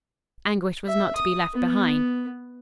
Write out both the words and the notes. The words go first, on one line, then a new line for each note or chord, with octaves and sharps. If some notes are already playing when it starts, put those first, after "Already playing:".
Anguish was not to be left behind.
E5
D#6
B3